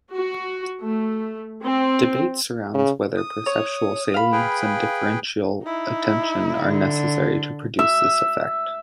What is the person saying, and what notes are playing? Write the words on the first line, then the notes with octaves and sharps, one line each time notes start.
Debate surrounds whether perceptual salience and differential attention are necessary to produce this effect.
F#4
A3
C4
C#3
D#6
C#5
F5 B5
G#4 B4 G5
D#4 E4
D3
E5